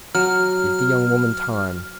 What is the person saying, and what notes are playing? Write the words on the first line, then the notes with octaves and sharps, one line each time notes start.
"Give the young woman time."
F#3 F6